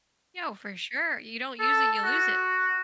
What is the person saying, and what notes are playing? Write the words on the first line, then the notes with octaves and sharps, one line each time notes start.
Yo, for sure. You don't use it, you lose it.
A4
F#4